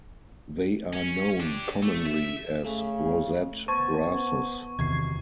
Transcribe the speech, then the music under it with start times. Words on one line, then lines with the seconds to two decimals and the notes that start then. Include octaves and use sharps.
They are known commonly as rosette grasses.
0.93 C#4
1.40 D4 G4
1.83 A3
2.05 E5
2.64 C#3 A3
3.68 B3 C5 A5 C#6 G#6
4.79 E2 C3 D#3 G#6 C7